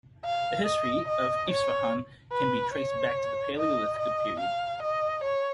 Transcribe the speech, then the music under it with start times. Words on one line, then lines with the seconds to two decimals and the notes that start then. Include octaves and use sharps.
The history of Isfahan can be traced back to the Palaeolithic period.
0.25 F5
0.66 D#5
1.08 D#5
1.50 C#5
2.32 B4
2.74 C#5
3.57 D#5
3.98 D#5
4.40 F5
4.82 D#5
5.23 C#5